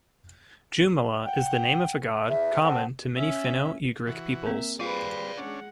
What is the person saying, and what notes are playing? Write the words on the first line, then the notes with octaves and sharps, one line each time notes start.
"Jomala" is the name of a god common to many Finno-Ugric peoples.
F#5 G5
E2 E5
C4 A4 F#5
C#4 E5
E3 F#4
A#3 C4 A#4 E5
G3 F4 G#4 B4 C5 D5 F5
G#3 C#4 D4 F#5